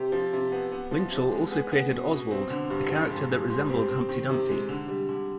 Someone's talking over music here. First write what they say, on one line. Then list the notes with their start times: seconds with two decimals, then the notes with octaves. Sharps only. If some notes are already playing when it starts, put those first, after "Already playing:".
Winchell also created Ozwald, a character that resembled Humpty Dumpty.
Already playing: C3 G4
0.12 F3
0.33 C3
0.52 B3
0.72 B3
0.91 F3
1.11 C3
1.31 G#3
1.51 B3 G#4
1.71 B3
1.91 B2
2.11 B2
2.31 C4
2.50 D3
2.70 G2
2.91 F3
3.10 G#2 G4
3.30 G3 G#4
3.50 G#2
3.69 C4 G4
3.90 C4
4.09 D#3
4.29 C3
4.49 G#3
4.69 D3
4.88 G3
5.09 D3